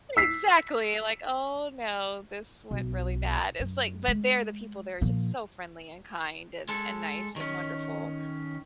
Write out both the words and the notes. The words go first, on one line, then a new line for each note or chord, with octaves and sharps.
Exactly like, "Oh, no, this went really bad." It's, like, but they're the people they are just so friendly and kind and and nice and wonderful.
E6 B6 C7
B1
F#2
G#3
A#2 F3
G#3 A4
D#3 C#4